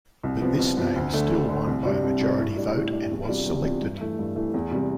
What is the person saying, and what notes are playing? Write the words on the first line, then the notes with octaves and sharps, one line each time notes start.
But this name still won by a majority vote and was selected.
C2
C3 F3 B3
C2
C3 F3 B3
D2
D3 A3
D2
D3 A3
C2
C3 G3 D4
C2
C3 G3 D4
A2
G3 D4
A2
G3 D4
E2
C3 G3 D4 F4
E2
C3 G3 D4 F4
G2
E3 A3
G2
E3 A3
E2
C3 G3